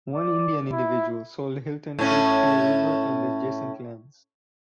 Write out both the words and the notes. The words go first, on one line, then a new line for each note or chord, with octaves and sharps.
One Indian individual sold Hilton Cape Fear river and adjacent lands.
D5
E4
A2 C#4